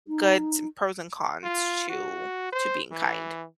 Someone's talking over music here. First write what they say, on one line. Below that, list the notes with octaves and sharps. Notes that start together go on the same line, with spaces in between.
good pros and cons to to being kind.
D#4
F4
F#4
C5
E3